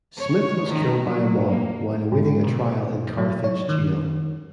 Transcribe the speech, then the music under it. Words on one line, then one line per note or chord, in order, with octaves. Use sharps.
Smith was killed by a mob while awaiting a trial in Carthage Jail.
C#5
D#3
F#3
A#3
G#2
B2
F#3
C#5
D#3